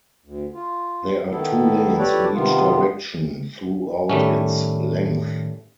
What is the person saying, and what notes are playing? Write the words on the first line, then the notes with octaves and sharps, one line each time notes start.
There are two lanes in each direction throughout its length.
D2
F4
D#3 B3 E4 A4
G4 A4 B4 C#5 D5
C3 D#3 B3 F4
A2 D#3 G3 A3 C#4